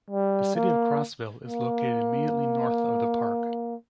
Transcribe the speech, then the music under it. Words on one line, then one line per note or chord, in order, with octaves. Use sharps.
The city of Crossville is located immediately north of the park.
G3
A#3
A#3